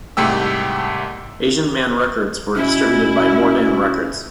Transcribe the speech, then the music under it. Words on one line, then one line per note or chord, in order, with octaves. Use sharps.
Asian Man Records were distributed by Mordam Records.
C2 G#2 A3 G4 G5 E6
B2 C#4 E4